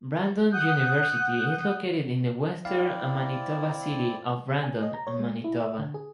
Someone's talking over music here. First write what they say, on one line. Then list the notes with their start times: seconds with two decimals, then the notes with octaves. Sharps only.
Brandon University is located in the Western-Manitoba city of Brandon, Manitoba.
0.51 F#5 D#6 F#6 G6
2.65 C4 E4 D5 F5
4.63 G#5
4.83 D#5
4.94 A#5
5.07 C#5
5.19 G#3
5.44 E4
5.61 E5
5.79 D3
5.94 G#4